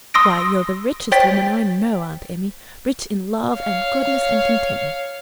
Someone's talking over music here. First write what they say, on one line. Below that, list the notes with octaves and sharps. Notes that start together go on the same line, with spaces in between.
"Why, you are the richest woman I know, Aunt Emmy--rich in love and goodness and contentment."
C6 D#6 E6 A#6 D7
C5 C#5 G5 A6 B6
C#5 F5